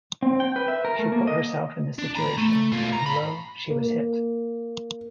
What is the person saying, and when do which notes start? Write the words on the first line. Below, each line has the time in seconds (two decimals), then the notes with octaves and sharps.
She put herself in this situation - and lo, she was hit.
0.22 C4
0.40 G5
0.56 B4
0.68 E5
0.85 A#4
0.99 A3
1.12 A#3
1.27 D#5
1.99 D4
2.15 A#5 B5
2.38 A3
2.72 B2 F4
2.93 A#5
3.06 A5 B5
3.70 A#3